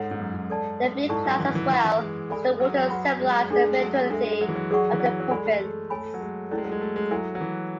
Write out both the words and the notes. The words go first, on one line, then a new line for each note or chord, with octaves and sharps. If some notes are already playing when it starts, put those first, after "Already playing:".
The big clouds as well as the water symbolize the fertility of the province.
Already playing: G#2 A4 C#5 F#5
G#2
F#2
G#2
A4 D5 A5
G#2 E4 A4 D5 A5 C#6
F#3
E3
E3
E3 B4 F#5 C#6
E3
G#3
A4 D5 G#5 B5
F#3
F#3
F#4 B4 F#5 B5
G#3
A3 D4 G#4 D5
G#3
F#3
G#3 D4 A4 E5
G#3
F#3
E3
F#3
F#3 G#4 D5 F#5 C#6
E3
F#3
F#3
G#3 A4 D5 G#5 B5
A3
A3
A3 A4 C#5 G#5 B5
F#3
G#3
A3 C#4 E4 A4 D5
G#3
F#3
G#3
A3
G#3
F#3 E4 A4 E5 G#5
F#3
E3